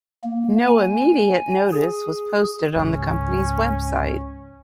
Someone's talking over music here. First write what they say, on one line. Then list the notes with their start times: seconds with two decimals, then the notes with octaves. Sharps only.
No immediate notice was posted on the company's website.
0.24 A#3
0.68 G#5
1.73 G#4
2.76 C#2 G#2 C#4